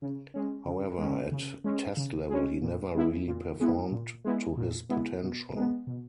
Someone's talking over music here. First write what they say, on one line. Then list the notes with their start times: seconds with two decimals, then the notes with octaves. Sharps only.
However at Test level he never really performed to his potential.
0.02 C#3
0.34 G#3 C#4
0.67 C#3
0.99 G#3 C#4
1.32 C#3
1.64 G#3 C#4
1.97 C#3
2.29 G#3 C#4
2.62 A#2
2.95 G#3 B3 E4
3.27 A#2
3.60 G#3 B3 E4
3.92 A#2
4.25 G#3 B3 E4
4.57 A#2
4.90 G#3 B3 E4
5.23 B2
5.55 G#3 B3
5.87 B2